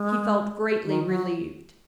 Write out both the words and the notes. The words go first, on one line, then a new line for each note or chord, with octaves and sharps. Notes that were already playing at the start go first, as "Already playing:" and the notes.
He felt greatly relieved.
Already playing: G#3
D#3
F#3